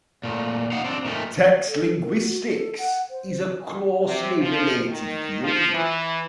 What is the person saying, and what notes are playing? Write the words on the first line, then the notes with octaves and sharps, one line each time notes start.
Text linguistics is a closely related field.
A#2 A3
D#4 F5 F#5
C4 D4
A#2 D#3 A3
A4
A#4
F#4
A4
F#5
C5
C3
F3
D#3
F3
E3